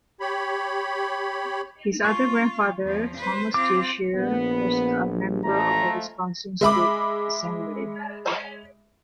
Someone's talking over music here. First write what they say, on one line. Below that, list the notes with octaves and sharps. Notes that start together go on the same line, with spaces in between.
His other grandfather, Thomas J. Shear, was a member of the Wisconsin State Assembly.
G4 C#5 B5
F4 C#6
E2 F3
B4 C5
C4 F4 D6
A#1 B3
A1 F3 G#3 A3 A#5
G#3 E5 B5 D6